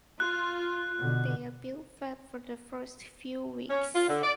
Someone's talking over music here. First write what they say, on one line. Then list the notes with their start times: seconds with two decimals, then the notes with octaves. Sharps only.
They are bill fed for the first few weeks.
0.20 F4 F#6
0.99 B2 D3
3.70 C#4
3.95 F4
4.08 D3
4.23 D5